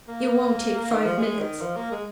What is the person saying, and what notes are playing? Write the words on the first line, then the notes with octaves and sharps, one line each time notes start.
It won't take five minutes.
A#3
D#3
F3
G#3
D#3
F3
A#3
G#3